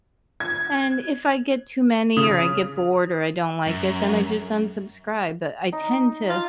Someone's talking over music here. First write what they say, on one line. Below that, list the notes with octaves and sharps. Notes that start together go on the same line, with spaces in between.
and, if I get too many or I get bored or I don't like it, then I just unsubscribe, but I tend to
G#6
C#3 D#6
F#2
D#4
F4